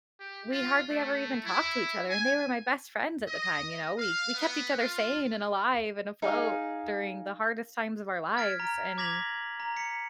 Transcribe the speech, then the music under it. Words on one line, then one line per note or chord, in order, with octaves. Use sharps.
we hardly ever even talked to each other, and they were my best friends at the time, you know? We we kept each other sane and alive and afloat during the hardest times of our lives, and
G4
F4
A3
E4
G#5
D#5
F5
B3
F4
D#4 G#4 F5
F6 G#6 A6 B6 D7
A#5
D6 G#6 A#6 B6 F7 F#7
A#5
B6 C#7